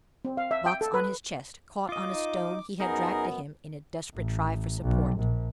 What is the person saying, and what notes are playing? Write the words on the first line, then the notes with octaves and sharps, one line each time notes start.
The box on his chest caught on a stone he had dragged to him in a desperate try for support.
C4
F5
E5
G5
A4
B4
F4 D#5 D6
D#4
F#2 B3 D#4 G#4 A#4
A1
B1
A#1